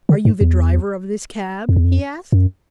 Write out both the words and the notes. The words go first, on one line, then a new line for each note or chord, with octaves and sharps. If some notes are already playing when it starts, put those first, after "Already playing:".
"Are you the driver of this cab?" he asked.
D3
G#2
E2
F2
E2
F2
F#2